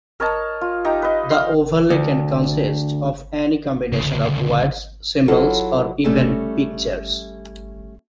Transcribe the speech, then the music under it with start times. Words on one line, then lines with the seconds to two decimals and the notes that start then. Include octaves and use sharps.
The overlay can consist of any combination of words, symbols, or even pictures.
0.20 A#4 C#5 D#5 A5
0.61 F4
0.85 D#4 G4 A#5
1.02 B4 D#5
1.30 F5 C6
1.90 D2
3.92 D2 C#3
5.28 F#3 E4 F4 A4 C#5 D#5
6.04 G3 A3 C#4 A4